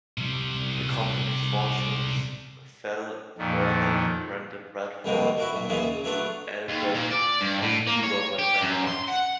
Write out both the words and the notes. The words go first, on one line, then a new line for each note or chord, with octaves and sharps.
The company's fortunes fell further when the Bradford, Eldred and Cuba went bankrupt.
C3 G3
F2 A#2 D#3
C2 F2 B2 D#3 G#3 A#3
E4 F#4 A#4
B1 A#2
D#2 A#2 E3 A#3 F4 G#4
C#3
F#3 A3 B3 D4 F4
D#2
A#2
D5
G2
A2
A#3
C#5
G4
F#2
C6
F#5